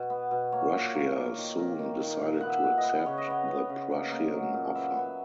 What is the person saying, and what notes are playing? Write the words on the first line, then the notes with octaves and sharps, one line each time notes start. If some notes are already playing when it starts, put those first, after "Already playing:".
Russia soon decided to accept the Prussian offer.
Already playing: B2
B3
B2
A#3 C#5
A#2
A#3
A#3
D#3
D#3
D#3
D#3
A#2
B3 F#5
E5
A#2
D#5
B3
C#3 C#5
D#5
B3 C#5
B3
C#3
A#3
A#3
F#3
A#2
B3 E5
B3